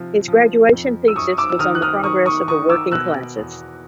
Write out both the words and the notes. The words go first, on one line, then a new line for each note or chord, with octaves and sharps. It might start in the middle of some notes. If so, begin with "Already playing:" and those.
His graduation thesis was on the progress of the working classes.
Already playing: C3 F3
F3
F2
E6
F#2 C#6 D#6
D6 E6
E6
D#3 D#6 F6
F#6
D#6 F6
D#3 C#6 D#6
C#6 D#6
D#3 C#6 D#6
D6 E6
B2 E6 F#6
E2